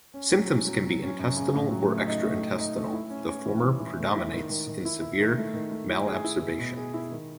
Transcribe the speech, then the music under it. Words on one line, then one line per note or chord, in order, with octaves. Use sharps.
Symptoms can be intestinal or extra-intestinal - the former predominates in severe malabsorption.
C#4
F#3
C#4
F#3
F#3
C#4
F#2
C#3
A2
F#3
A3
D#4
A3
D#4
D#4
A3
E4
C#4
C#4
E3
E3
E3
A3
E4
D#3
D#3
D#3
E4
E4
D#3
A3
D#3
A3
E4
G#4
E4
G#4
B2
G#4
E4
D#3